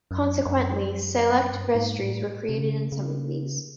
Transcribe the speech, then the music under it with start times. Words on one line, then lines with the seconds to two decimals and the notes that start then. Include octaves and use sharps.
Consequently, select vestries were created in some of these.
0.11 F#2
0.46 F#2
1.51 G2
1.75 G#2
1.98 A2
2.49 C3
2.57 C#3
2.92 C#3